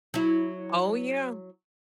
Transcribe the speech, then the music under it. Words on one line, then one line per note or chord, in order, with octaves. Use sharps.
Oh, yeah.
F#3 E4